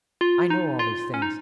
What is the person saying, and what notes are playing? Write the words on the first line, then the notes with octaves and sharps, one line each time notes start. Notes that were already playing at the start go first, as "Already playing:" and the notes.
I know all these things.
F4
D#4
F4
C#4
D#4